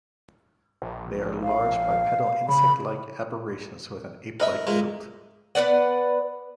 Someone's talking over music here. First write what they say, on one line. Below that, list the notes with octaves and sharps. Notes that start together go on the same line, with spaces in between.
They are large, bipedal, insect-like aberrations with an ape-like build.
A#1
F5
C#3 B5
A#4 B4 D#5 E5
A#2 G#3 A#4
B3 B4 D5 F#5